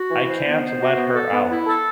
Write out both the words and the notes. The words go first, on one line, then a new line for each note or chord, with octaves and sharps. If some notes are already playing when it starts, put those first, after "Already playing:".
I can't let her out.
Already playing: F#4
E3
C5
B3
C5
F#4
B3
A4
B3
E4
A4